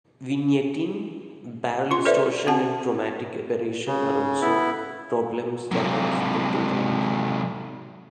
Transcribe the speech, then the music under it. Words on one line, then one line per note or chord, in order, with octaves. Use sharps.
Vignetting, barrel distortion and chromatic aberration are also problems that are difficult to eradicate.
F4 C6
A4 B4 C5 D5 E5
C4 F#4 F#5 A5
C#3
B3 E4
C3 F#3